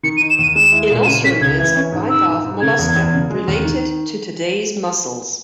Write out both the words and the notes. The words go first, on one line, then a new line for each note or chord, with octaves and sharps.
Inoceramids are bivalve Mollusca related to today's mussels.
D#3 C#7
D#7
D#4
E7
D#2 D#7
G#3 E7
E4
A#2
E7
C#3 D#7
C#4 B6
C#2 G#6
E3 G#6
C#4
G#2
D#3 E6
G#2
G#2
C#3 G#6
E2
E2
C#3
G#3
D#2
D#3